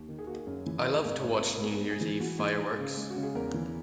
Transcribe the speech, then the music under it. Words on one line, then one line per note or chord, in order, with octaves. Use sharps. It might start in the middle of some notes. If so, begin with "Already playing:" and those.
I love to watch New Year's Eve fireworks.
Already playing: D#2
D#3
G#4
A#3 F#4
G#4
F#2
E3
A#3
G#4
G#1 A#4
G#1 C#5
B4
A#3 A#4
A#4
B3 G#4
G#2
G#4
E3
E3 F#4
E3 G#4
G#2 G#4
C#3
G#3
F#4
C#3
G#4
E2 A#4
E3